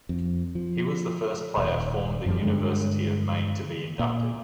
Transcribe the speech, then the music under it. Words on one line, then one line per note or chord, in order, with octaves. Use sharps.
He was the first player form the University of Maine to be inducted.
F2
F3
D#1
F#2 F3 G3
G2 D3 G#3
A#2